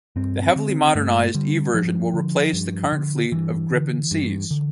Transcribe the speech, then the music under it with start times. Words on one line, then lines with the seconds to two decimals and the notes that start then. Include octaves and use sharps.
The heavily modernised E version will replace the current fleet of Gripen Cs.
0.16 G2 C4
0.42 C4
0.56 D3
0.69 C4
0.95 G2 A3
1.35 D3 G3
1.74 G2 F3
2.14 D3
2.53 G2
2.92 D3
3.32 G2 E3
3.72 D3
4.11 G2
4.51 D3